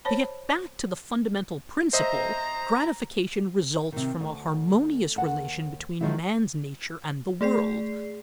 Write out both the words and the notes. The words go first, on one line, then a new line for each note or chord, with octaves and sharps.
To get back to the fundamental principle: gratification results from a harmonious relation between man's nature and the world.
C5 C#5 A5 B5
C5 D#5 E5 A#5
C3 D#3
D2
D#2 F#5 A5
D#3 F3 F#3 G#3 E4
A3 G#4 D5 C7